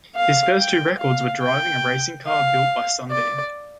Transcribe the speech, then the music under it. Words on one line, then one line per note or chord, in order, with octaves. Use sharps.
His first two records were driving a racing car built by Sunbeam.
F5
G5
F5
G5
F5
D5